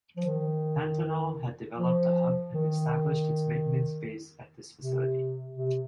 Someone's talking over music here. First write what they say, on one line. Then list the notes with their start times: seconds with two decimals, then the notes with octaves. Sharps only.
Pantanal had developed a hub and established its maintenance base at this facility.
0.17 F3
0.26 D#3
1.78 F3
2.54 D#3
4.80 C3
5.55 C3